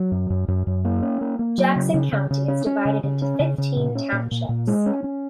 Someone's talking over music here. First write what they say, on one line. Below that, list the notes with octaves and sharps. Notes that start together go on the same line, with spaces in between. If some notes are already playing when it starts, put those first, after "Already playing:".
Jackson County is divided into fifteen townships.
Already playing: F#3
F#2
F#2
F#2
F#2
A#3
C#4
A#3
A#3
F#3
C#3
C#3
C#3
C#3
C#4
C#4
C#3
C#3
C#4
C#3
C#3
A#2
C#4
A#2
A#2
A#2
G#3
C#4
C#4